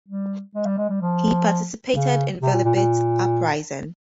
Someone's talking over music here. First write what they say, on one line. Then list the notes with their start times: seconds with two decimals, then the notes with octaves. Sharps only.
He participated in Velebit uprising.
0.09 G3
0.55 G#3
0.66 G3
0.78 G#3
0.90 G3
1.02 F3
1.95 C#3
2.42 C3
2.53 A#2
2.65 A#2
2.76 A#2